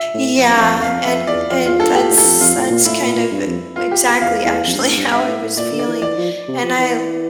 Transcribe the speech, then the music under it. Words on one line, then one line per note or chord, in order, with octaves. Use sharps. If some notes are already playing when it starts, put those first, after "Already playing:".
Yeah, and it that's that's kind of e exactly actually how I was feeling. And I
Already playing: E5
A2
F2
G2
F2 F5
E2
F2 F5
F2 E5
E2 D5
F2 F4
E2 F4
G2 A4
A2 G4
A2
A4
F2
F2 F4
A2
A#2
A2 E4
A#2
A#2
G2
F2
F4
G4
G4
E2 F5
E2 F5
F2
G2
A2
G2
G2 E5
A2
A2
A#2 D5
D3
D5
E3
E3 D5
F3
C3
F3
E3